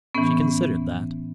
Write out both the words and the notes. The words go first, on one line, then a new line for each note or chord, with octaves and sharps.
She considered that.
A2 E3 B3 C#4